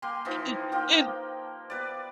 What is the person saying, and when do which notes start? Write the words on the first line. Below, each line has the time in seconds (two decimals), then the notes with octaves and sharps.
It it
0.02 A#3 G4 G#5 C6
0.25 E3 F3 D#4
0.72 A#3 F4 G5
1.70 B3 B4 D5